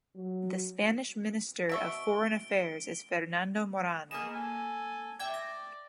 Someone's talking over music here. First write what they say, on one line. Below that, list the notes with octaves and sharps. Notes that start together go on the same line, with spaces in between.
The Spanish Minister of Foreign Affairs is Fernando Morán.
F#3
B2 E5 C#6 D7 G7
A#3 B3 G#4 D#5 E7
A4 G#5
D5 E5 G5 G#6
A#6